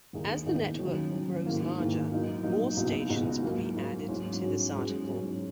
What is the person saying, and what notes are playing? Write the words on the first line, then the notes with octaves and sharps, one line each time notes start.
As the network grows larger, more stations will be added to this article.
D#2 D#3 A#3 D#4 G#4
D#2 D#3 A#3 D#4 G#4
D#3 F#3 C#4
D#3 F#3 C#4
G#2 D#3 A#3 E4
G#2 D#3 A#3 E4
A#2 F#3 A#3 D#4
A#2 F#3 A#3 D#4
C#2 B2 G#3 D#4 F#4
C#2 B2 G#3 D#4 F#4
G#2 F#3 A#3
G#2 F#3 A#3
G#2 F#3 C#4 F#4
G#2 F#3 C#4 F#4
G#2 F#3 C#4 G#4
G#2 F#3 C#4 G#4